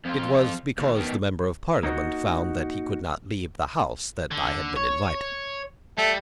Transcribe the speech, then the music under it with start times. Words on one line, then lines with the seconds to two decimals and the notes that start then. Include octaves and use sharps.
It was because the Member of Parliament found that he could not leave the House that I had been invited.
0.05 F2 F4
0.78 D#2
0.96 B2 D#3
1.83 A#3 D#4 F#4
4.31 D3
4.76 C#5
5.98 G3 A3